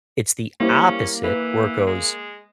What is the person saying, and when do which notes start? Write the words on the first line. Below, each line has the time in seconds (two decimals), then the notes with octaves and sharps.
it's the opposite where it goes,
0.60 G3 A#3 C#4 E4 C5
1.24 E3 B4
1.87 G#3